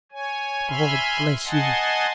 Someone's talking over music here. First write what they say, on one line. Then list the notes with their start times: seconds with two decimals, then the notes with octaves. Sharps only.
God bless you!'
0.12 C#5 G#5
0.68 E5 G#5 B5 C6 F6
1.45 D#5 F#5 G#5 A5 C6